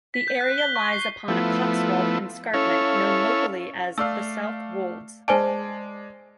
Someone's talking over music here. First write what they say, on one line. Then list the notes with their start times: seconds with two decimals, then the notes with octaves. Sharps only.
The area lies upon a Cotswold escarpment known locally as the 'South Wolds'.
0.14 B6
0.28 G6
0.41 F#6
0.58 G7
0.76 C#6
0.93 C7
1.28 F3 A3 B3 E4
2.54 C#4 E4 A4 C#5 F5
3.98 A3 D5 F5 E6
5.28 G#3 C5 D5 G#5 A5